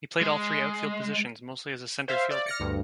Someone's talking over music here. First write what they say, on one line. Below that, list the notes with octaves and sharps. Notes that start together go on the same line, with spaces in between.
He played all three outfield positions, mostly as a center fielder.
G#3
C5 E5 F5
D5
F6 A#6 C#7
D2 G2